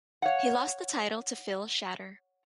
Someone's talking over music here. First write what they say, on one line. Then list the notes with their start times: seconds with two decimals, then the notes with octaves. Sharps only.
He lost the title to Phill Shatter.
0.22 C#5 F5 F#5